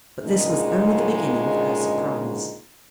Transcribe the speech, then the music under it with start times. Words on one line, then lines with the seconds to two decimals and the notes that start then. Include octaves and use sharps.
But this was only the beginning of her surprise.
0.23 D2 A#2 C#3 G#3 C#4 D#4